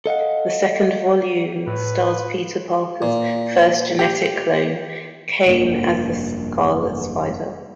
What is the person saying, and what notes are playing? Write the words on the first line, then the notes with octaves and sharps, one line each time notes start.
The second volume stars Peter Parker's first genetic clone, Kaine as the Scarlet Spider.
A4 D#5 F5 F#5
A2 B4
A#2
G4
F1 G2 A#3